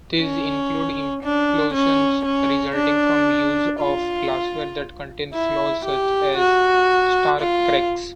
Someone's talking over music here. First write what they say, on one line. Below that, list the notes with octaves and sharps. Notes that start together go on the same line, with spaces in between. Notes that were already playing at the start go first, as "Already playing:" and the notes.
These include implosions resulting from use of glassware that contains flaws, such as star-cracks.
C#4
D4
C#4
C#4
D4
F4
E4
G4
F#4
F4